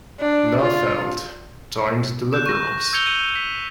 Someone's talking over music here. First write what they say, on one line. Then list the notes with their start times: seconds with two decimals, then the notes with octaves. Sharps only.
Neufeld joined the Liberals.
0.21 D4
0.60 F4
2.33 F#6 G6 E7
2.46 C#6 A#6
2.93 E6 G6 G#6 C#7 F7 G7
3.06 G6 G#6 D#7
3.35 B6